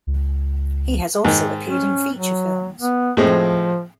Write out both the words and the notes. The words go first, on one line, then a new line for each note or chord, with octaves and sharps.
He has also appeared in feature films.
C#2
G#2 D#3
C#4
F#3
B3
A2 F3 G#3 C4